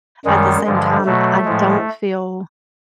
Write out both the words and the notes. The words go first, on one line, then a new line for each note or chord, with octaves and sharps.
at the same time, I don't feel
F#2 D#3 G3 G#3
G2 D3 F3 G#3
B2 F#3 A3
A2 F3 G#3